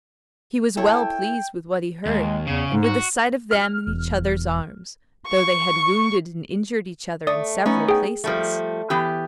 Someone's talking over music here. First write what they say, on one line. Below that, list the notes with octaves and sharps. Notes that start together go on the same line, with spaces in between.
He was well pleased with what he heard and with the sight of them in each other's arms, though they had wounded and injured each other in several places.
E4 A4 C#5 G5
D#2 G#3
E2 C#3
G#2
F#4
F6
E1
C#6
A3 D5 D#6
A3 B3 C#4 D#4
G#4 G5
F3 G3 A3
E3 B3 G4